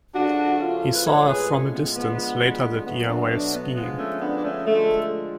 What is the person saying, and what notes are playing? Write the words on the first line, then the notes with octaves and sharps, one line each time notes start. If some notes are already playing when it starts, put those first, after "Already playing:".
He saw her from a distance later that year while skiing.
C#3 F3 A3 D4 F#4
C#4 F4
B4
A2 F3 G#3 A4 C#5
G#4 B4
A3 C#4
B3
D3 F3 G#3 B3
B2 F#3 A3 B3
B3 D4
B3 D4
B3
D3 F3 G#3 B3
A3 C#4
B3 D4
D4
A3 C#4
D3 F3 G#3 A3